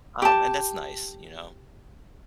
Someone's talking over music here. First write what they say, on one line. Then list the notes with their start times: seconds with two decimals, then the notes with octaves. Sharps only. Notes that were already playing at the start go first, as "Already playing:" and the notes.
Um, and that's nice, you know?
0.22 G4 A5